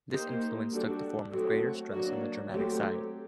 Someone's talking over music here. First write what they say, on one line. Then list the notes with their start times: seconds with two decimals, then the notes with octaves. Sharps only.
This influence took the form of greater stress on the dramatic side.
0.11 A#3 D#4 G4 C5
0.71 G3 D4 F#4 A4
1.31 F#3 A3 C4 F#4
1.91 F#3 A#3 D4 F#4
2.51 F#3 A3 C4 G4